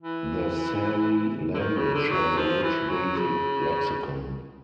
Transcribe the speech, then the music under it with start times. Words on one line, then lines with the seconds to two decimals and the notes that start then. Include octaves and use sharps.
The Seri language has a rich basic lexicon.
0.02 E3
1.54 D3
1.59 D#3
1.77 C#3
1.94 D3
2.11 F#3
2.37 F3
2.63 E3
2.90 F#3
3.16 C#3